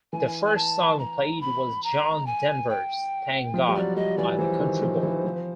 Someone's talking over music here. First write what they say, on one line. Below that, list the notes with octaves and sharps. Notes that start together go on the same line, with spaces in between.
The first song played was John Denver's "Thank God I'm a Country Boy".
E3 G#5
G#5
A5
A#5
B5
A#5
G#5
G5
F3
G3
F#3 D5
G3 D#5
E3 D5
E3 C5
D#3
F3
E3
F3